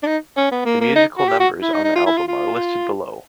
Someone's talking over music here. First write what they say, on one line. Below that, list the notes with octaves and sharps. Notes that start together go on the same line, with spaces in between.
The musical numbers on the album are listed below.
D4
D#4
C#4
B3
A#3
A#3
D#4
F#4
G4
F#4
E4
D#4
D#4
F4
E4
F4
F4